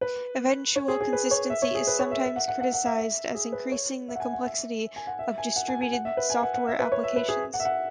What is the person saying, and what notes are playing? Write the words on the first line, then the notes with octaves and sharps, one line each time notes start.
Eventual consistency is sometimes criticized as increasing the complexity of distributed software applications.
B4
C#5
G#4
G#4
B4
C#5
E5
C#5
G#4
B4
C#5
E5
E5
F#5
F#5
F#5
F#5
E5
G#4
B4
C#5
E5
F#5
G#5
F#5
E5
G#5
F#5
E5
G#5
F#5
G#5
G#5
F#5
E5
B4
G#5
F#5
F#5
E5
B4
C#5
E5
B4
G#4
F#5
E5
F#5